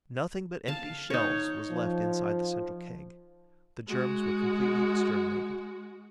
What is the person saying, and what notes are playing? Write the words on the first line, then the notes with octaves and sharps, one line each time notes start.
Nothing but empty shells was left inside the central keg; the germs were completely exterminated.
F5 A5
D#4 C#5
F3
G#3 F#4